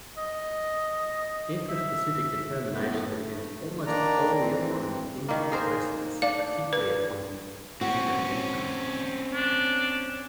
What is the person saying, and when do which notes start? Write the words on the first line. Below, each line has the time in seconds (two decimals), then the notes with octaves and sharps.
Intraspecific determination depends almost wholly upon the inflorescence, particularly upon the indumentum.
0.17 D#5
1.69 E5
2.74 F#2 A2 A3 B3
3.19 A3
3.86 D#3 A#3 D4 D5 A#5
4.39 E3 C4
5.29 D#3 A#3
5.52 G#4 A#4 C5
6.22 D4 F5
6.73 B4
7.81 C4 C#4 F#4
9.34 D4